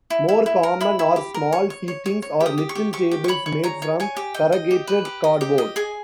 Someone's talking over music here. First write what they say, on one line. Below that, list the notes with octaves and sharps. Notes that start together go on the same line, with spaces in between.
More common are small seatings or little tables made from corrugated cardboard.
E4
E4
E4
A#4
E4 B5
E4
G4
A#4
C#5
C#5
C#5
C#5
C#5
G4
D#6
G4
C#6
G4
G4 C#6
G4
C#6
C#5 B5
C#5
C#5 A#5
C#5
C#5 G#5
G4
D#5 G5
D#5
G4
B4
G4
D#5
G4
D#5
G#4 G#5